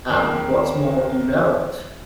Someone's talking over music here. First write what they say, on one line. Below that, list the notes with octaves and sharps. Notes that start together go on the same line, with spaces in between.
And, what's more, you know it.
D#2 A#3